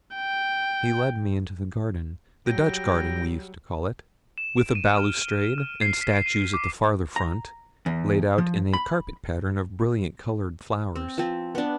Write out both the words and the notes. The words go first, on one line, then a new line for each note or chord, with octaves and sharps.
He led me into the garden--the Dutch garden, we used to call it--with a balustrade, and statues at the farther front, laid out in a carpet-pattern of brilliantly-coloured flowers.
G5
F#3 G3 G5 A#6
E7
D7
D#7
F6
F6
C7
B6
D#7
D6
A#5
E2
F3
B5
C4
F3 C4
B3 D4